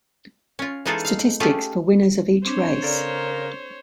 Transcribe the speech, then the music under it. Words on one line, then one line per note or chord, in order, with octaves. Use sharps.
Statistics for winners of each race.
C#4 F4
E3 G#3 D#4 F4 G#4 A4
F5
A3 C#4 F4 G4 G#4
C4 D4 C5 C#5
C#3 A4 A#4 D5